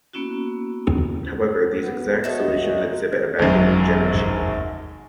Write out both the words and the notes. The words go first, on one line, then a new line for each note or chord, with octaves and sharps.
However, these exact solutions exhibit a 'vacuum degeneracy'.
A#3 B3 C#4 E4 F#4
B3
F#4 A4 C#5 D#5 E5
A#2
G#1 F#2